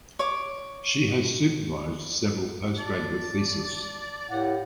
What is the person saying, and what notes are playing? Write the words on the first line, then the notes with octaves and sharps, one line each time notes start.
She has supervised several post graduate theses.
C#5 D6
D5 A5
A2 G4 A#4 F5 F#5